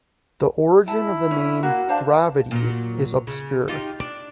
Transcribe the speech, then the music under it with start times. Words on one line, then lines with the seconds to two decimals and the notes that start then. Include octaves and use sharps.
The origin of the name "Gravity" is obscure.
0.88 E4 A5
1.31 C#4
1.63 A#3 F#4
1.89 D4 C5 F5 A5
2.51 A#2 F#3
3.27 C#3
3.68 D#4 F4 G4
4.00 D4